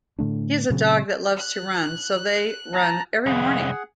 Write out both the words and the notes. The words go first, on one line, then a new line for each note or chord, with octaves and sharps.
He is a dog that loves to run, so they run every morning.
A2 D3 A3 D4
A#2 C#3 F#3 C4
F#6
A5 A#5
C2 F2 G#4 F#5